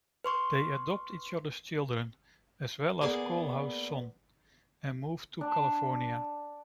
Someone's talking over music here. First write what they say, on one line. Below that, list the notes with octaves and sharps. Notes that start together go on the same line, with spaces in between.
They adopt each other's children, as well as Coalhouse's son, and move to California.
B4 C6 C#6
A#3 B3 G#4 D5
D4